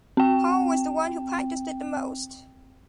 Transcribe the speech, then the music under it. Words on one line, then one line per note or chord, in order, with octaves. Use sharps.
Paul was the one who practiced it the most.
C4 G5